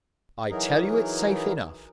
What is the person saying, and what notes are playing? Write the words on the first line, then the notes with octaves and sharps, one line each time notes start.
I tell you it's safe enough.
E3 F#3 D#4 G#4 A#4